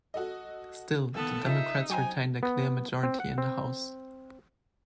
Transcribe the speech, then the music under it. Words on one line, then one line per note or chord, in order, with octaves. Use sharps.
Still, the Democrats retained a clear majority in the House.
F#4 A4 D#5
D#2 B3 A4
C#3 D#4 F4 E5
F#3 C5 D#5 G5 G#5 A#5
B3
C4
F#5
C4